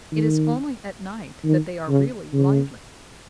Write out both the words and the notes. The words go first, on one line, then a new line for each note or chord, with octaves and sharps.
It is only at night that they are really lively.
D#3
D#3
C#3
C#3